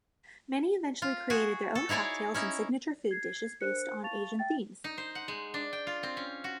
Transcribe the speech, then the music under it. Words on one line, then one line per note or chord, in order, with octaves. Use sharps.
Many eventually created their own cocktails and signature food dishes based on Asian themes.
F4
F#4 G#4
A4
D#4 E4 G#4 C#5 D5
C#4 D#4 E4
G#6 C7
D4 A#4 C5 F#6 C#7
F5 A5 C#6 A6 F7
E5 G5 A6
D#4
C5
F#5
G#3
D4
G5
F4
C4
C#4
F#4